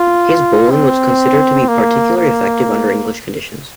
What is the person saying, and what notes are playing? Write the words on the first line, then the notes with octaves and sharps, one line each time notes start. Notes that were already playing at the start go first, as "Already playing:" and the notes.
His bowling was considered to be particularly effective under English conditions.
Already playing: F4
C4
A#3
A#3